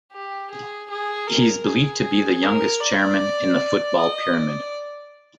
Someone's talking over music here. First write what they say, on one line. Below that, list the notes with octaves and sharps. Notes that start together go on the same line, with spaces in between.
He is believed to be the youngest Chairman in the Football Pyramid.
G4
G#4
G#4
A#4
G#4
A#4
D5
D#5
D5